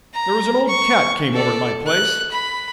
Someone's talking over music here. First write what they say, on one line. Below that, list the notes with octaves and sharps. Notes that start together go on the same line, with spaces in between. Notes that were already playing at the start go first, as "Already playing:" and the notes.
There was an old cat came over to my place.
A#5
C#6
A4 D5
F#6
B5